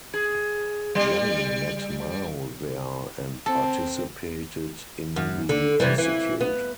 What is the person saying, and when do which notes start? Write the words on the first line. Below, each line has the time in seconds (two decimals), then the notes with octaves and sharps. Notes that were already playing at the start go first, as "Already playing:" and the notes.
Yang met Mao there and participated in the institute.
0.14 G#4
0.95 G3
3.46 C4 A4
5.16 F#2
5.49 D3
5.80 C3 E3 G3
5.98 E3
6.41 B3